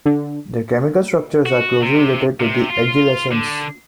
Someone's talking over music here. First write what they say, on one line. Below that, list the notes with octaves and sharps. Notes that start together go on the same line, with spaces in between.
Their chemical structures are closely related to the agelasines.
D3
F#4
C3
C3
F4
D3